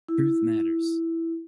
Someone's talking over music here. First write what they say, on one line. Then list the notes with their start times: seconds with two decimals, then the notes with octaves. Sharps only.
Truth matters.
0.09 E4